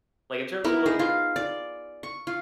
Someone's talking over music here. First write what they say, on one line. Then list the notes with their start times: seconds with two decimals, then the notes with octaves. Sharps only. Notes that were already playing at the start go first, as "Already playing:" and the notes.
like, in terms of what, you know,
0.64 B3 E4 A#4
0.86 D#4 G#4
0.99 F4
1.36 D5
2.03 C#6
2.27 F4